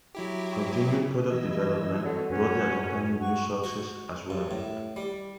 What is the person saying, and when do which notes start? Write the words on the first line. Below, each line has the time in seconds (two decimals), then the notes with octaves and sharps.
Continuing product development brought the company new successes as w ell.
0.15 F#3 E4 G4
1.30 E3 B3 D#4 E4 D#5 E6
2.05 D3 C4 F#4 C#5
2.29 F#2 F#3 B3 C#4
3.21 F#4 C#6
3.64 F#4
4.30 G2
4.51 A2
4.96 G3